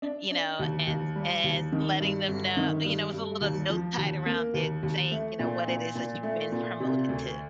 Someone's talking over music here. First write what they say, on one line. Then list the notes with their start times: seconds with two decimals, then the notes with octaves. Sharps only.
you know, and and letting them know you know, with a little note tied around it saying, you know, what it is that you've been promoted to.
0.02 D4
0.31 D4
0.59 D#2
0.87 D#2
1.16 G3
1.44 D#2
1.72 D#3
2.00 G2
2.28 G1
2.57 D#3
2.84 G2
3.13 G2
3.41 D#2
3.70 F3
3.97 D#2
4.26 A#3
4.54 D#2
4.83 D#2
5.11 A3
5.39 A#2
5.68 A#2
5.95 A#2
6.23 A3
6.52 A#2
6.80 C3
7.09 D2